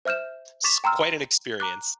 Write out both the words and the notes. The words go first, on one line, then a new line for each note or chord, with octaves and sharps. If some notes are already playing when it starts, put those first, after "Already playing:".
It's quite an experience.
C5 E5 F6 G6 E7
C#6 D6 A6 B6 E7 F7
G5 A#5 C6 E6 F6
A#5 D6 F#6